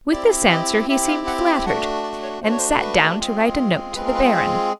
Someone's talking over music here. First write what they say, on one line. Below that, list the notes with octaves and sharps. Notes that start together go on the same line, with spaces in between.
With this answer he seemed flattered, and sat down to write a note to the Baron.
C4 E4 G4 D5
D#5
C4 E4 G4 E5
F5
F#5
G5
A3 D4 F#4 F#5
D5
C#5
A3 D4 F#4 C5
C#5
C5
B4
G#3 C4 F4 G#4
G#3 C4 F4 G#4 B4
A#4
B4
C5